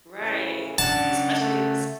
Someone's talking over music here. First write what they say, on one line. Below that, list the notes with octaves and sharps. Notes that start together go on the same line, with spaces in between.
Right, especially if it's
A2 C#3 E3
C#3 D4 F#5 A5
A3